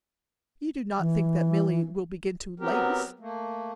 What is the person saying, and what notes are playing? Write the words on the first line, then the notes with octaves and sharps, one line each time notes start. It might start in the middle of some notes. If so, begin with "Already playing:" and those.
"You do not think that Milly will begin to lace?"
E3
F#3 B3 C4 G4 A#4
A3 A#3